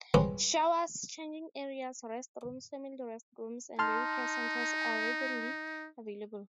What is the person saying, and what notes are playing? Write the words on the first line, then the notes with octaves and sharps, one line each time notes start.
Showers, changing areas, restrooms, family restrooms, and baby care centers are readily available.
G3 G#3 C#4 F4 B4 C5
D#4 A5 C6 F6